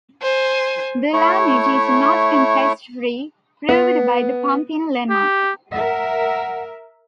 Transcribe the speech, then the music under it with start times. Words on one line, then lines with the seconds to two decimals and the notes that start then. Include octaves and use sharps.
The language is not context-free, proved by the pumping lemma.
0.22 C5 G#5
1.13 A3 E4 C#5
3.69 B3
5.10 G4
5.72 A#4 E5 F#5